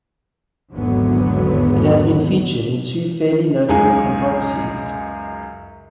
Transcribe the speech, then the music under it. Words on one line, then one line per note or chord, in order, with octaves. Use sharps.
It has been featured in two fairly notable controversies.
G#1 E2 G#2 D3 F#3 B3
C#2 F#2 G#3 D#4 G#4 G#5